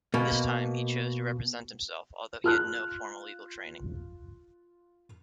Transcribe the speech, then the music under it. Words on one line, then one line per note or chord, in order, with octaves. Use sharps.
This time, he chose to represent himself, although he had no formal legal training.
B2 A#3
F4 F6 F#6